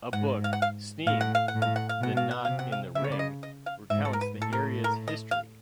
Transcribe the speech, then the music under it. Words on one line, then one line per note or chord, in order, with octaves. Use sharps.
A book, "Sneem, The Knot in the Ring", recounts the area's history.
G#2 F#5
F5
F#5
F5
A2 F5
F#5
F5
F#5
A2
F5
F#5
F5
B2 F#5
F5
F#5
C3 F5
F#5
F5
C#3 E5
C#5
D5
D#5
D#5
F5
G#2 E5
A4
A#4
B4
A2 A4
A#4
A#4
D#5
F5